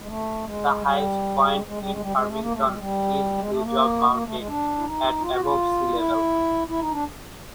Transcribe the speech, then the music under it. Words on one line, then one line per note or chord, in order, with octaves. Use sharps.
The highest point in Farmington is Blue Job Mountain, at above sea level.
G#3
A3
G#3
G3
G#3
G#3
G3
G#3
G3
G#3
A3
A#3
A3
G3
G#3
G3
G#3
A3
A#3
A#3
A3
G#3
D4
E4
D#4
F4
F#4
F4
E4
E4
D#4
D4